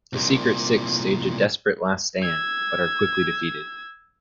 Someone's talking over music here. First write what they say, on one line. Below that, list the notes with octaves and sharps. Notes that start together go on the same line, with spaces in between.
The Secret Six stage a desperate last stand, but are quickly defeated.
C2 A#2
E6 G#6